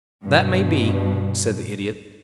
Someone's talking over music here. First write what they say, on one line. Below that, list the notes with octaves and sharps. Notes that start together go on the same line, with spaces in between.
"That may be," said the Idiot.
G2 B2